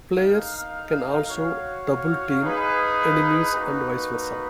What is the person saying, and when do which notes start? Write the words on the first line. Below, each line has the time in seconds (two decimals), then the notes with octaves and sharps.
Players can also double-team enemies and vice versa.
0.16 D#4 A#4 F5
1.29 F#4 C#5 F5
2.42 D#4 G#4 B4 F5
3.55 A#3 D#4 F#4 B4